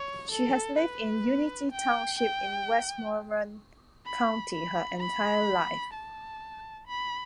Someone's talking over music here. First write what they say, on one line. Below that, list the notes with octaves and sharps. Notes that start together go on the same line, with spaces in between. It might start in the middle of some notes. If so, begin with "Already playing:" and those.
She has lived in Unity Township in Westmoreland County her entire life.
Already playing: C#5
A4
B4
G5
G5
B5
B5
B5
A5
B5